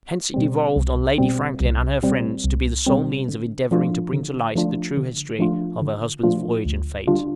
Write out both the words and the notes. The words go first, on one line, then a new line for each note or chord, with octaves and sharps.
Hence it devolved on Lady Franklin and her friends to be the sole means of endeavoring to bring to light the true history of her husband's voyage and fate.
B2 G3 C4
C2
B2 G3 C4
C2
B2 G3 C4
C2
B2 G3 C4
D3
F3 A3 D4 F4
D3
F3 A3 D4 F4
D3
F3 A3 D4 F4
D3
F3 A3 D4 F4
D2
D3 G3 D4 F4